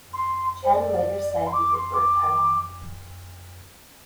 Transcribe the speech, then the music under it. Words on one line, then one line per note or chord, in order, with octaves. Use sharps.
Chen later said he preferred Taiwan.
C6
C5
D5
D5
C6
D6
C6
D6